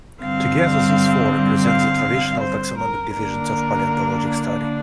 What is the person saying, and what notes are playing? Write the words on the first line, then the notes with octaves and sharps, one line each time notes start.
Together these four represent the traditional taxonomic divisions of paleontologic study.
G2 D3 G3 C4 F5
F5
C5
A#4
D3 A#3 D4 A#4